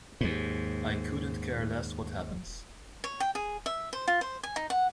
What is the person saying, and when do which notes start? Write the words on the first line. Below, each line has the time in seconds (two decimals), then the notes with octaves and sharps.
I couldn't care less what happens.
0.21 D#2 G#2
3.04 C#5
3.20 G5
3.35 G#4
3.66 E5
3.93 C5
4.08 F4
4.21 C5
4.43 G#5
4.56 D#4
4.70 F#5